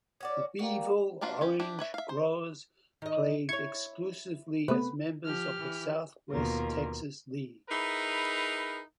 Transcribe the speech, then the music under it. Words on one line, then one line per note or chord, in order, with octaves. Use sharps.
The Beeville Orange Growers played exclusively as members of the Southwest Texas League.
C#4 F#4 D5
G3 A#3 F#4
F3 A#3 D4 F4 F#4
C#4 G4
D4 E4 G4
B4 C#5 E5
E5 F5
C5
D#3 D#5
E4 C#5 C#6 G#6
C3 A3 B3 B4
F3 G4 F6
E3
D#2 B2 A#3 F4 A#4
D#4 E4 G#4 A#4 B4